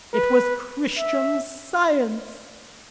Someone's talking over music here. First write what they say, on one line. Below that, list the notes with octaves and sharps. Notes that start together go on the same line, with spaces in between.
It was Christian Science.
B4
E5